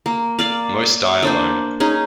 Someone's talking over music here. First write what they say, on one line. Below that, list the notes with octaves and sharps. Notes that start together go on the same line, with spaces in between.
Most die alone.
A#3
A#3 D5 F5
A#3 D4 C5
C#4 D#4 G#4